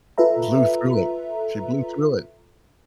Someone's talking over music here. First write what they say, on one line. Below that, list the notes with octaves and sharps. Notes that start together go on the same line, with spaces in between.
Blew through it. She blew through it.
F4 A4 B4 E5 A#5